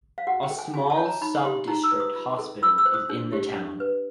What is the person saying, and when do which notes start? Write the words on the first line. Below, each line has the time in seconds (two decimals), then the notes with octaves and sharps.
A small sub-district hospital is in the town.
0.18 F5
0.27 F#4 F#5
0.43 G5
0.50 A4
0.59 G#5
0.74 F#4 G#5
0.90 A5
0.97 C#5
1.06 A#5
1.21 D#4 B5
1.45 G4 C6
1.68 D#4 A#5
1.84 E6
1.92 B4
2.00 D#6
2.15 F4
2.39 A4
2.62 F4 E6
2.78 E6
2.85 C5
2.94 D#6
3.09 D4
3.33 G4
3.56 D4
3.80 B4